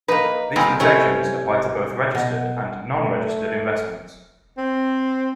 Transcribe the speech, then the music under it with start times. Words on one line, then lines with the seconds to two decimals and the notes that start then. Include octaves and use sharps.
These protections apply to both registered and non-registered investments.
0.08 A#3 D#4 B4
0.56 A#2 G3 B3 C4 G#4 A#4
0.80 C3 A3 C#4 E4 C5 C#5
2.15 B2
2.97 A3
4.58 C4